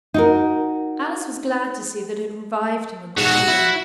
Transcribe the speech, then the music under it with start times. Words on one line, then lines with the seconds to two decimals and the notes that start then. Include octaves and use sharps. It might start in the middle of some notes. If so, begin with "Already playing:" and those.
Alice was glad to see that it revived him a good deal.
0.14 D#4 F#4 A#4
3.17 G#2 B2 F#4
3.48 E4